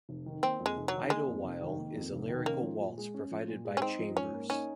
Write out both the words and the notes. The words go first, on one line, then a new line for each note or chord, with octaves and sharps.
"Idle While" is a lyrical waltz provided by Chambers.
F1
D#3
A#3 C4
F2
G#3
F1
F#3
D#3
G#3 A#3
F2
F1
D#3
A#3
F2
F1
D#3
A#3 C#4
F3
A#2
G#3
C#4
F3
A#2
G#3
C#4
C4 D#4
F3
G#2 C#4
A#3
C#4 D#4